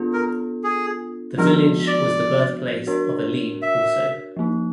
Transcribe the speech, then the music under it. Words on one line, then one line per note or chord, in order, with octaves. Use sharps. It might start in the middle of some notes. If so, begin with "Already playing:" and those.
The village was the birthplace of Aline also.
Already playing: B3 D4 F4 A4
A#4
G#4
F3 G#3 B3 D4 F#4 A#4
D5
D4 F#4 A#4 C#5
E5
F3 A#3 D#4